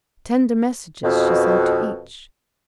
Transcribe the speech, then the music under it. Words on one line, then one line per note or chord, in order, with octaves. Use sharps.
Tender messages she sent to each.
F2 B2